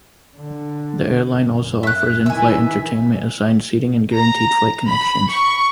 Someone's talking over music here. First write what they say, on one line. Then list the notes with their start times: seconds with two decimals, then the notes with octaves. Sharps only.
The airline also offers in-flight entertainment, assigned seating and guaranteed flight connections.
0.37 D3
1.30 F#2
1.83 E5 F#6
2.26 D#3 E3 E5 G#5
4.14 A#5
4.86 B5
5.28 C#6